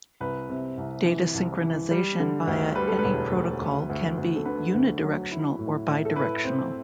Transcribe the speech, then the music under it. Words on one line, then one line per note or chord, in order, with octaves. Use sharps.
Data synchronization via any protocol can be unidirectional or bidirectional.
C2 B4
C3
C2
E3
C2
E3
G3
D3
D2
G3 B4
A4
B4
E1
D2
D2
D2
D2
A4
D3 B4
D2
F#3
E4
A2
A2
A4
E4 B4
C4